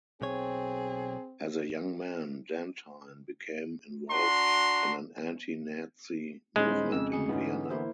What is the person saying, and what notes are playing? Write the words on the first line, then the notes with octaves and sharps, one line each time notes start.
As a young man, Dantine became involved in an anti-Nazi movement in Vienna.
B1 C4 G#4 C#5
D4 F#4 A#5 C6
D#1 G#3 C#4 D#4 C5 B5 C6
F2 C#3 E6
D2 G#4 C#7
G#2 D3 E3 B3 C#4
A#3 E4 C5